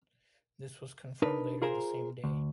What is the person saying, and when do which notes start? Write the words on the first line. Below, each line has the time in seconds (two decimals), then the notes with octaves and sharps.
This was confirmed later the same day.
1.22 D4 D#4 A#4 B4
1.62 F4 G#4 A#4 C5 A#5
2.24 D2